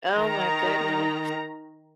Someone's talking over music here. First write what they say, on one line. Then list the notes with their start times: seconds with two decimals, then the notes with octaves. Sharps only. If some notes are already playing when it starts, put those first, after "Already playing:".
Oh, my goodness.
0.12 D#3 A#5